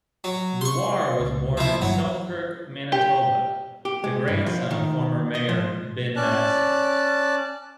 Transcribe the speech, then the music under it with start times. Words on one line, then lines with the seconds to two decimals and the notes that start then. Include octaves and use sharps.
Dewar was born in Selkirk, Manitoba, the grandson of former mayor Ben Massey.
0.24 F#3
0.61 C6 C#6
1.20 C#2
1.57 F3 E4
1.82 G1 G2 E3 F#3
2.92 G4
3.85 G4
4.04 G#3
4.28 G2
4.46 F3
4.71 D#3
5.35 D#5
5.49 F3
6.16 C#4 D5 A5 F#6